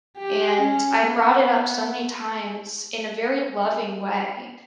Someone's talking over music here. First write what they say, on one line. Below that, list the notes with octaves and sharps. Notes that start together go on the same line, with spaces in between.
and I brought it up so many times in a very loving way,
G4
C#4
B3